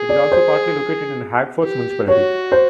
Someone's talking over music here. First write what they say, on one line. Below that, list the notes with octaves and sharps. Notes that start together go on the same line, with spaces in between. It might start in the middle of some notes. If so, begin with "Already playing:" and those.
It is also partly located in Hagfors Municipality.
Already playing: G#4
D5
C5
G4
F#4 C#5
C5